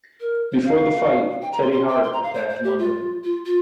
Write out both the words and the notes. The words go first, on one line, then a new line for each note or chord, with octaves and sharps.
Before the fight, Teddy Hart attacked London.
A#4
C5
F5
G5
A#5
C6
C6
G5
C6
A#5
F5
C5
C5
G4
F4
F4
F4